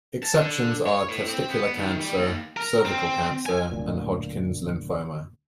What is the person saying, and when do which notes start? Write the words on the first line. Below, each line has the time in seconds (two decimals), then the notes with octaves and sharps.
Exceptions are testicular cancer, cervical cancer, and Hodgkin's lymphoma.
0.23 A5
0.35 D3
0.86 C#5
1.09 A2
1.29 C4
1.50 B3
1.77 D#3
2.00 G3
2.18 D#2
2.57 A#4
2.85 C4
3.46 G#5
3.71 D1 G1 D2 A#2